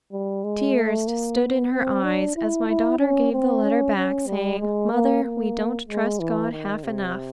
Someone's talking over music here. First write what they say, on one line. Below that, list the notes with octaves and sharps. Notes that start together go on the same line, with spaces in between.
Tears stood in her eyes as my daughter gave the letter back, saying: "Mother, we don't trust God half enough!"
G3
G#3
A3
A#3
B3
C4
D4
E4
E4
C#4
C4
C#4
C#4
G3
G#3
A#3
A#3
G#3
E3
D#3
C3